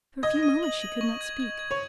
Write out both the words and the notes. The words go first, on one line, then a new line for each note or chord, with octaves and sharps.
For a few moments she could not speak.
D#5 G#6
D#7
F#7
F#7
C#6
G#6
G#6
G#6
C#5